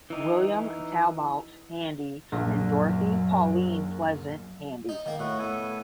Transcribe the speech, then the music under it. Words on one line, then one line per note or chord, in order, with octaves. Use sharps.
William Talbot Handy and Dorothy Pauline Pleasant Handy.
E3 D#4
A#1 F#2 F#3
D#4
D#3 A#3
A2 F#4 B4 F#5
B3 A4 G#5